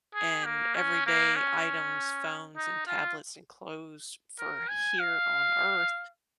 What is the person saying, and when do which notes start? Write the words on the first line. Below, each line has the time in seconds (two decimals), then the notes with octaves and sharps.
and everyday items, phones, and tablets, and clothes for here on Earth,
0.15 G#4
0.45 A#3
0.75 C#4
1.06 A#3
1.36 C#4
2.56 D#4
2.87 F4
4.39 A#4
4.69 G#5
4.99 F5